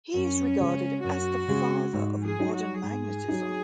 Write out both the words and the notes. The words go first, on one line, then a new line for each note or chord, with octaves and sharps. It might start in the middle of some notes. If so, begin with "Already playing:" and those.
He is regarded as the "Father of Modern Magnetism".
F#2 C#4
C#3 G#3
F#2 F#4
C#3 G#3
G#2
G#4
F#3 D#4
F#4
G#2 G#4
F#3 D#4